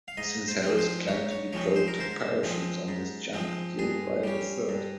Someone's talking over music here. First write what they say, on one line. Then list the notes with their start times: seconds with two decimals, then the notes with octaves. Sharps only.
Since Harris planned to deploy two parachutes on this jump, he required a third.
0.08 F5
0.17 G#2 D#5
0.48 C5
0.63 F3 G#3 C4
0.78 C5
1.08 G#2 C#5
1.31 C#5
1.53 F3 G#3 C4 C#5
1.76 C5
1.88 A#4
1.98 G#2 C5
2.44 F3 G#3 C4
2.88 G#2
3.33 F3 G#3 C4
3.79 G2 G#4
4.24 G3 C#4
4.69 G2